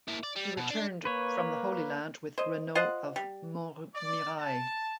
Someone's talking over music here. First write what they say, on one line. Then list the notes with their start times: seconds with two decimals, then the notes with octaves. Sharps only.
He returned from the Holy Land with Renaud of Montmirail.
0.08 A#3 E4
0.23 D5
0.36 G3
0.57 B2
0.70 D4
1.05 A#3 B4 C#5
2.38 C5 D#5
2.75 F4 C5 D#5 F#5
3.16 G3
3.94 D5
4.40 A5